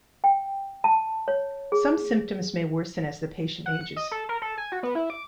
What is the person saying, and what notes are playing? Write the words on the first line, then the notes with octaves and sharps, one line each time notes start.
Some symptoms may worsen as the patient ages.
G5
A5
C#5
G#4
F#5
C#7
D#5
A4
A#4
A4
G#5
F#4
B3
E4
D6